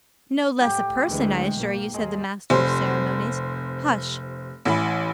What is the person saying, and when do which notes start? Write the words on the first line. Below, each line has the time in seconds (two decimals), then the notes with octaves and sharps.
'No less a person, I assure you,' said the Master of the Ceremonies. 'Hush.
0.61 A2 G4
1.07 D2 E3 G#3
1.56 B1 G#2 A#3
1.94 D#2 G#3 A#3
2.50 F1 C5
4.65 A1 E3 B5